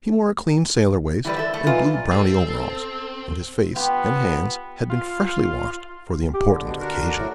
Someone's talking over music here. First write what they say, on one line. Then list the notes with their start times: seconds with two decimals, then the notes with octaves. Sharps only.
He wore a clean sailor waist and blue brownie overalls, and his face and hands had been freshly washed for the important occasion.
1.25 E3 G3 E4 B4 D5
1.36 A4 E5
1.54 A3
1.67 E3 D#4 F4
2.11 C4 A4
3.76 B3 F4 G4
4.90 F4
6.34 G4
6.49 D3
6.62 B2
6.80 D4 F#4 A#4
7.19 A2